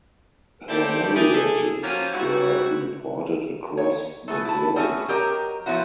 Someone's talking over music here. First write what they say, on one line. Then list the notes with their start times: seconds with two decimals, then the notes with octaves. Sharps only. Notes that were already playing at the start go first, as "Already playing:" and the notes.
Her marriages were reported across the globe.
0.68 C4 E4 G4 A4 C5 D5
1.15 D4 E4 G4 G#4 A#4 D#5
1.33 G#4 A4
1.83 F3 F#3 A#3 C4 C#4
2.13 G#2 G3 E4 F#4
3.77 C#5
4.28 A3 B3 G#4
4.45 E4 A5
4.76 G3 A3 B3 C#4 F#4 G#4
5.08 F#3 G4 A#4 D#5
5.66 F3 B3 C#4 E4 F#4